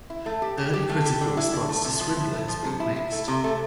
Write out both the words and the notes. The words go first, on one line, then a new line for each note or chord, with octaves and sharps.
Early critical response to Swindler has been mixed.
E4
A3
G4
G4
G4
A3
G4
D3
E4
D3
A3
C3
F3
E4
A3
F3
C3
E4
E4
A3
C3
A3